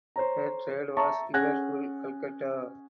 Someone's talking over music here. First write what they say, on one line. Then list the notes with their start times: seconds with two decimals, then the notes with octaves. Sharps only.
Her trade was Liverpool–Calcutta.
0.16 C5 C#5 A#5
0.97 E5 A5 A#5 C#6
1.34 C#4 G#4 F#5 F#6 G#6 A#6